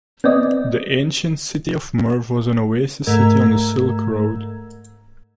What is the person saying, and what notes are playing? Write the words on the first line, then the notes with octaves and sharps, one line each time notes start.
The ancient city of Merv was an oasis city on the Silk Road.
B3 C4 D5 D#5
G#2 A3 A#4 A#5 E6 G#6